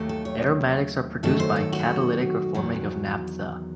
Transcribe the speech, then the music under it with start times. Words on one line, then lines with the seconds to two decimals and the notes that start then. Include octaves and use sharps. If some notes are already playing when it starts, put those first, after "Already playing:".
Aromatics are produced by catalytic reforming of naphtha.
Already playing: D#2 D#3 F#3 A3
0.09 A4
0.25 C#5
1.23 F#2 D#3 F#3 A3 A4
1.40 C5
1.56 A4
1.73 F#4
2.54 E2 D#3 F#3